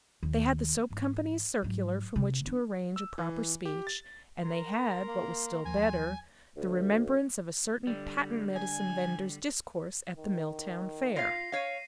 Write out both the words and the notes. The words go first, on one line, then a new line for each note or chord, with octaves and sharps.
They had the soap company's circular from which to arrange a proper speech, and they had, what was still better, the remembrance of a certain patent-medicine vender's discourse at the Milltown Fair.
D#2
G#2 E3
G#2 F#3
C3
B3 D4
E6
E3
G4
A6
A#4 A#5 C6
A#3
D#2 F3 G#5
D2
D3 G3
G#5
D#3
F4 F5 A#6 C7
C#5 F5 C7 D#7